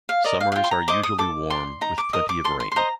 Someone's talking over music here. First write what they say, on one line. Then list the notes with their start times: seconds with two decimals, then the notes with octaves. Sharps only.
Summers are usually warm, with plenty of rain.
0.09 F5
0.24 A#4 D5 D#5
0.41 F5
0.52 F5
0.56 F4 G5
0.64 C6
0.71 A#5
0.88 C5 D#5 D6
1.03 D#6
1.18 A4 D6
1.50 D5 C6
1.81 D#4 A#5
1.98 D6
2.13 A#4 D#5 D#6
2.29 D6
2.44 A4 C6
2.60 C6
2.72 C6
2.76 C5 D#5 A#5